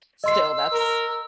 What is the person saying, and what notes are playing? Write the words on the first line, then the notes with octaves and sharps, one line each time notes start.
still, that's
D#5 C6 E6 C7
A#4